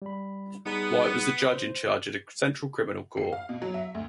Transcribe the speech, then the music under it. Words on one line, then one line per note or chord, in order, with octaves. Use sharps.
White was the Judge in Charge of the Central Criminal Court.
G3 B5
G3 B3 D#4 G#4
C5
C7
F5
B2
F#3
E5
D2